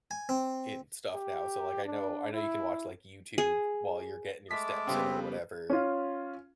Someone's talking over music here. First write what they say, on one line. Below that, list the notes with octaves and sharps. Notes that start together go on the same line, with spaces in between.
in stuff now so, like, I know I know you can watch like YouTube while you're getting your steps in or whatever.
G#5
C4
G4
D4
E4
G#4
G#3 A3 A5 D6 B6
C#3 G3 B3 C4
C#4 F4